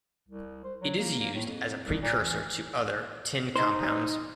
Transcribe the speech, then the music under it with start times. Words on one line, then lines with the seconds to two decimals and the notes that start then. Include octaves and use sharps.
It is used as a precursor to other tin compounds.
0.28 C2
0.64 C5
0.81 F#3
0.99 A#3
1.19 A#3
1.35 A2
1.46 F2
1.85 C2
2.02 A#2
2.23 E3
3.56 D#4 C5